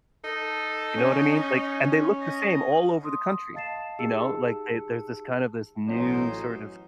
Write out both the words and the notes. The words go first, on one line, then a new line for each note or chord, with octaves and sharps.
You know what I mean? Like, and they look the same all over the country. You know? Like, they there's this kind of this new sort of
D#4 A4
C#4
D#5
C6 D#6
D#5 F5 A5 A6 C7 E7
D#4 G4 G#4 A5 E6 C#7
A1 F#3 C#4 D#4 C5